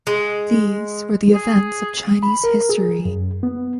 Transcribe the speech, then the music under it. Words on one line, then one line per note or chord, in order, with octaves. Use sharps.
These were the events of Chinese history.
G#3
G#4
B5
A#4
G#4
F#2
B3